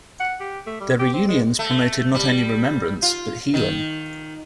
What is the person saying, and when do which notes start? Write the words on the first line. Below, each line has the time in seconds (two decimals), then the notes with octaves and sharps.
The reunions promoted not only remembrance, but healing.
0.20 F#5
0.40 G4
0.66 A3
0.81 G3
0.99 G4
1.13 C4
1.28 G#3
1.59 A3
2.14 G3
3.02 F4
3.54 D#3